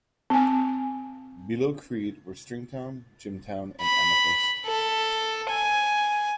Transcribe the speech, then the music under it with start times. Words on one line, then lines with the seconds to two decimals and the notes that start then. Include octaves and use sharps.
Below Creede were Stringtown, Jimtown, and Amethyst.
0.30 C4 G#5
3.81 B5
4.66 A4
5.50 G#5